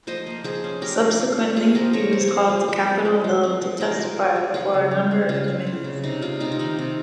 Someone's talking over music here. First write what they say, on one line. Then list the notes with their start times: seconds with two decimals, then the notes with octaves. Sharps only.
Subsequently, he was called to Capitol Hill to testify before a number of committees.
0.07 F3 C5 D#5
0.27 A#3
0.44 F3 G#4 C5
0.64 C#4
0.82 C#4 G4 A#4
1.00 F3
1.19 F3
1.38 F3
1.56 C4 F4 G#4
1.75 F3 G4 A#4
1.93 F3 A#4 C#5
2.12 C4 C5
2.21 C#5
2.28 C4 G#4 C5
2.49 F3
2.68 F3
2.88 C4
3.05 F3
3.24 F3
3.43 C4
3.61 F3
3.80 G#3 G4 A#4
3.99 F3
4.18 G#3
4.36 G#3
4.54 F3 F4 G#4
4.74 C#3
4.91 C#3
5.11 C4
5.29 C#3 F4
5.48 C4
5.67 C#3
5.84 C#3
6.04 C3 D#4
6.22 G3 F4
6.40 C3 D#4 G4
6.52 F4
6.59 D#3 D#4
6.79 C3